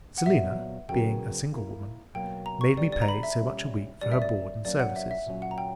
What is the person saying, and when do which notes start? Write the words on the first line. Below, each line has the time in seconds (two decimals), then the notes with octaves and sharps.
Selina, being a single woman, made me pay so much a week for her board and services.
0.18 F#5
0.26 A#2 F#3 B3 E5
0.89 C#3 F#3 B3 F#4 A#4 G5
1.52 A#3 E4 A#4
2.14 B2 F#3 A#3 G5
2.46 A#5
2.61 C#6
2.77 D3 G3 B3 D5
2.92 D5
3.02 A#5
3.08 B5
3.23 E5
3.39 A#2 G3 C#4
4.01 G3 C#4 F#4 A#4 D5
4.12 E5
4.22 D5
4.65 F#3 A#3 C#4 D5
4.80 F#5
4.96 E5
5.11 E5
5.26 A#2 F#3 C#4
5.42 F#5
5.51 A#5
5.58 G5